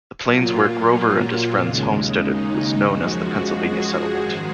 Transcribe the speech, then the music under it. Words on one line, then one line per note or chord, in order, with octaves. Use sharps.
The plains where Grover and his friends homesteaded was known as the Pennsylvania Settlement.
A#2 F#3 A#3 F4
D#2 C#3 G#3
D#4
F#2 F3 G#3 F#4
G#4
G#2 D#3 G#3